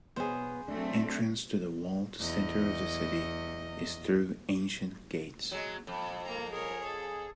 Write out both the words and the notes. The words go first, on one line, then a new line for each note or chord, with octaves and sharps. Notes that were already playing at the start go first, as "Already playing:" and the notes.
Entrance to the walled center of the city is through ancient gates.
B2 B3 G#4 C5 C#5
F#3 A3 C4 D4
E2 D#5
F#3 G#3
F2
A#3 A#5
G#4 A#4 C#5
A4